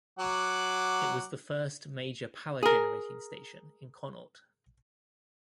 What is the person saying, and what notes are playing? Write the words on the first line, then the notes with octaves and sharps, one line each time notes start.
It was the first major power generating station in Connaught.
F#3 F#5 D6
G#4 A#4